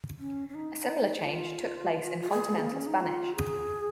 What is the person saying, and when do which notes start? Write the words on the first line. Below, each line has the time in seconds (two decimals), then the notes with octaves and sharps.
A similar change took place in continental Spanish.
0.19 C#4
0.49 C#4
0.55 D#4
1.20 D#4
1.25 F4
2.21 F4
2.31 G#4
2.59 A#3
2.73 C#4
2.87 D#4
3.00 F4
3.36 G#4